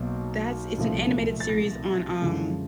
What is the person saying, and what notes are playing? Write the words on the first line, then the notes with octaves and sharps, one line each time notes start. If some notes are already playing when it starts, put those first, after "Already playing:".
That's it's an animated series on, um,
Already playing: B1 B2 F#3 A#3
C2 A#2 F3 A3
A6
A#6
F#2 D3 F3 G#3